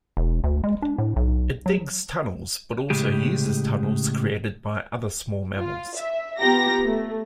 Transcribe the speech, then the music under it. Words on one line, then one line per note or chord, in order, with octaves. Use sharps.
It digs tunnels but also uses tunnels created by other small mammals.
E1
D2
G#3
D4
A2
B1
F#3
A2 C#3 G#3 G4
F4
E5
B3 F4 G4 G5 A#5 A#6
A3